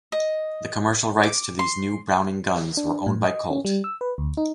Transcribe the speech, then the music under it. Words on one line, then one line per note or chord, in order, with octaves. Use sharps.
The commercial rights to these new Browning guns were owned by Colt.
D#5
D6
C6
D4
A2
D#5
C#4
G3
E6
B4
D2
D#4